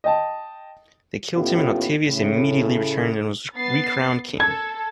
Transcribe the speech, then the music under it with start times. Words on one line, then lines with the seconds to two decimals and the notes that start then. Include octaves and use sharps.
They killed him and Octavius immediately returned and was recrowned king.
0.04 D#5 G5 A5
1.35 D#2 A2 B3 C#4 F4 G4
2.06 A2 C#3
3.56 B3 A6 C7
4.40 A4 A5 G#6